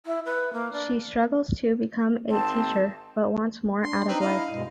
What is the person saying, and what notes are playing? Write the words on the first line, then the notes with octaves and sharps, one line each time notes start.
She struggles to become a teacher, but wants more out of life.
E4
B4
A#3
D4
G#1 C4 A5
D4 C6
C4 D#4 B4
E4 D#5 F5
G2 B2 G#3 D#5